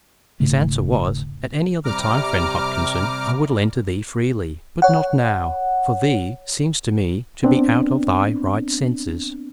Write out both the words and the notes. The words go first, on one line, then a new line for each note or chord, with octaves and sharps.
His answer was, 'At any other time, friend Hopkinson, I would lend to thee freely; but not now, for thee seems to me to be out of thy right senses.'
E1 G#2 C#3 A3
C3 G3 A#5 D6 F6
C#5 F#5
B3 C4 D4